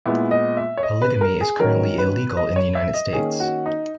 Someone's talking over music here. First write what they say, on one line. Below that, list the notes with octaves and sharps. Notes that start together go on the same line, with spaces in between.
Polygamy is currently illegal in the United States.
A#2 G#3 B3 E4
D#5
E5
C#5
D#5
B4
A#4
G#4
D#3 F#3 C#4 A#4
B4
D#5
C#5
E5
D#5
D#3 A#3 C#4 G#4
F#4
D#4